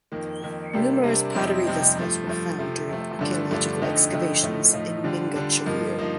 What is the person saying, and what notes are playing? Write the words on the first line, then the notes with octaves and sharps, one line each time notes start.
Numerous pottery vessels were found during archeological excavations in Mingachevir.
F2 D#3 A#3
F2 D#3 A#3
C3 G3 A#3 D4
C3 G3 A#3 D4
F2 C3 G3 C4 D#4
F2 C3 G3 C4 D#4
G2 F3 A3
G2 F3 A3
C3 F3 A3
C3 F3 A3
G2 D3 F3 A3 D4
G2 D3 F3 A3 D4
F2 D3 A3 D#4
F2 D3 A3 D#4
A2 F3 A3 D#4
A2 F3 A3 D#4
D3 G3 D4 F4
D3 G3 D4 F4
G2 F3 A#3 D#4
F3 A#3 D#4